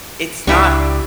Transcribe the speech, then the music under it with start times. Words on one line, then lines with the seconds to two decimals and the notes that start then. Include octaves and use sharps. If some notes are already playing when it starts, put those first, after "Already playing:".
it's not
0.47 C#2 D4 E4 G4 C#6